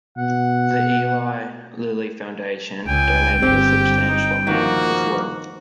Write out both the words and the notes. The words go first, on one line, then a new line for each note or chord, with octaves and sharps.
The Eli Lilly Foundation donated a substantial amount as well.
B2 F#5
C#2 G5 G#5
G1 C4 G4
D#4
D#3 F3 A#3 F#4